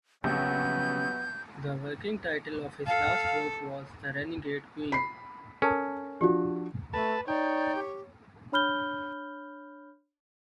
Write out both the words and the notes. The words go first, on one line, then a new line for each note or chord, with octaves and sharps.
The working title of his last work was "The Renegade Queen".
A#1 C#3 F#3 B3 G4 G6
A4 F5
B5 C7
C#4 A4 A#4 A5
F3 D4 F#4 G4
A3 A4 B4 A5
D#4 C#5 D5 G5
G4
D4 C#5 B5 F6 G6 G7